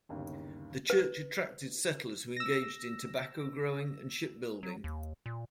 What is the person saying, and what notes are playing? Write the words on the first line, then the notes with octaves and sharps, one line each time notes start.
The church attracted settlers who engaged in tobacco growing and ship building.
G1 D#2 C#3
B4
E6 A#6
F#3
D#2
A#2